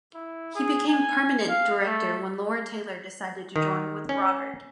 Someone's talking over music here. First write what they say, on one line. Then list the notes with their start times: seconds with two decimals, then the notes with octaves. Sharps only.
He became permanent director when Laura Taylor decided to join with Robert.
0.14 E4
0.55 G#4
0.87 G#5
1.49 F5
1.86 A3
3.56 D#3
4.09 C#4